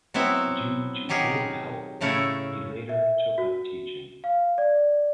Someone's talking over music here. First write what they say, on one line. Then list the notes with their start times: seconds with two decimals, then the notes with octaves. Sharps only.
Due to ill health he later took up teaching.
0.14 F#3 B3 C4 E4
1.09 D#3 F#3 G4 G#4 A#4
2.01 A2 C#3 A3 E4 A#4 C#5
2.89 E5
3.38 F#4
4.24 F5
4.58 D5